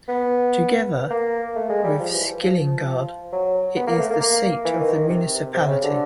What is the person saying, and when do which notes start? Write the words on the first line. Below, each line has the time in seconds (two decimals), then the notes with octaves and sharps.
Together with Skillingaryd it is the seat of the municipality.
0.08 B3
1.11 A#3
1.56 A3
1.70 G#3
1.84 G3
2.00 F3
2.14 E3
2.44 F3
3.33 F#3
3.77 B3
3.87 A#3
3.99 A3
4.10 A#3
4.21 A#3
4.65 E3
4.80 D#3
4.94 D#3
5.09 C3
5.54 C3
5.68 C#3
5.84 D3